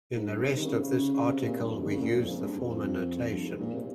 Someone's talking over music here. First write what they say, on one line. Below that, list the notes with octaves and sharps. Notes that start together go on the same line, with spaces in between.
In the rest of this article we use the former notation.
G#2
G2
C3
D#3
C#3
C3
C#3
C#3
C3
A#2
G2
F2
D#3
C#3
A#2
F2
G#2
G2
F2
F2
G2
G#2
A#2
C3